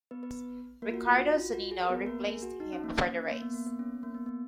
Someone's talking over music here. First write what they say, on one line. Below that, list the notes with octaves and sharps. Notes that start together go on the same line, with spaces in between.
Ricardo Zunino replaced him for the race.
B3 B4
B3 B4
A#3 A#4
F4
F#4
F4
F#4
F4
F#4
G#4
A#4
B3 B4
A#3 A#4
G#4
F#4
D#4
C#4
A#3
C#4
A#3
B3
A#3
B3
C#4
A#3
B3
B3